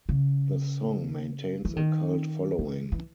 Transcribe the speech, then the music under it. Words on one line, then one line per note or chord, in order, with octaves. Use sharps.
The song maintains a cult following.
C#3
E3
D#3
E3
E3